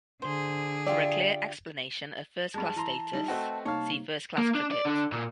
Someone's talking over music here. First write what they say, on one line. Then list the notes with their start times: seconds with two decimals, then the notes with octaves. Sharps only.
For a clear explanation of first-class status, see first-class cricket.
0.22 D3 G#4 C5
0.86 F4 G4 D5 E5
2.54 G2 G#3 A5
2.76 E3 A#5 C6
3.13 G3 D#4 E4
3.28 A3 C4 F#4 B4 D#5 G5
3.65 C2 A#3 D#4 C#5 F5 A5
4.38 A#3
4.55 D4
4.71 D5
4.85 D3
5.12 A#2